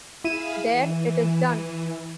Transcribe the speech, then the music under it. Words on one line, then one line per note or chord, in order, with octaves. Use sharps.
There - it is done.
E4 G#4 F5 B5 D#7 E7
E3